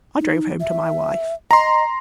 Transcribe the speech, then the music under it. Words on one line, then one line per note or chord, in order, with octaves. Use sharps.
I drove home to my wife.
D#4
E5
D#5 A#5 C6